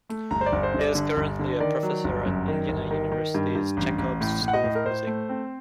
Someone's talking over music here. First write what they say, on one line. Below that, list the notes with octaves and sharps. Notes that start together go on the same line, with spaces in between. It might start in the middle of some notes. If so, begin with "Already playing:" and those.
He is currently a professor at Indiana University's Jacobs School of Music.
A3
G1 A#5
C5
D5
G1
C5
G1 D5
D3
G1
D3
D#3 D5
F#3
G1
F#2
D#3
G1
D#3
D#3
G2
G2
A1
A1
A2
A2
F#5
D#5
A2
A#4
A2 C5
A3
C4